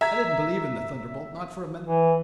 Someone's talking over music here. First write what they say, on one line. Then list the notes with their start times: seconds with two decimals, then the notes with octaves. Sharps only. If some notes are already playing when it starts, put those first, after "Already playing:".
I didn't believe in the thunderbolt, not for a minute.
0.01 E5 A#5 G#6
1.84 E3